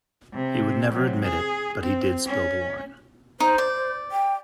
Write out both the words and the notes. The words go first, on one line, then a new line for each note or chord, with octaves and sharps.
He would never admit it, but he did spill the wine.
C3
C3 F#3
G#4
C4
C#4
D#4 C5
D5
G5